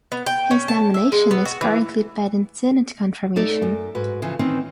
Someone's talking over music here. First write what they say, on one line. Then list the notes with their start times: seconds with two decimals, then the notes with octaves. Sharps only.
His nomination is currently pending Senate confirmation.
0.12 B3
0.26 G5
0.51 C#4
0.68 A5
0.94 E5
1.12 G#3
1.31 B3
1.45 F#4
1.61 E3
3.36 A3 D#4 A4 D5
3.62 F#2
3.95 G#2 F#4 B4
4.22 C#3 E3 F3
4.39 D#3 E3 C4 C#4 D#4